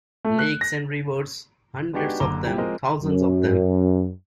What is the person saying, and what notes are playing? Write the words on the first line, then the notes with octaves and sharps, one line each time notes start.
Lakes and rivers, hundreds of them, thousands of them.
A3
F#6
A#6
G#3 B3 D4 D#4 F#4 G4
F#1 D3 A#5 D6 G7
G3 C4 E4 G4
F3 G#3 C4 A#4 D#5
F#2